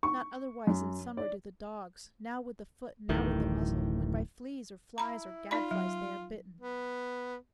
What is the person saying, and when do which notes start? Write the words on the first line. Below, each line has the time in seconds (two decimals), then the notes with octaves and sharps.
Not otherwise in summer do the dogs, Now with the foot, now with the muzzle, when By fleas, or flies, or gadflies, they are bitten.
0.03 C#6
0.67 F#2
1.17 D5
3.09 D1 A1 A2 D#3
4.98 E4 A#5 B5
5.51 D#4 F4 D5 B5
5.71 F#3
6.61 B3